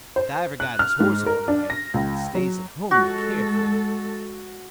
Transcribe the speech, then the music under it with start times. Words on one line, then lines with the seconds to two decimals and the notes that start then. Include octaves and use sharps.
Stiver got his horse all right, and stays at home to care for him.
0.16 C5
0.60 F#6
0.79 F6
1.00 G#2
1.26 A#4
1.48 D4
1.70 A#6
1.94 C#2
2.35 F#3
2.91 G#3 F#4 A4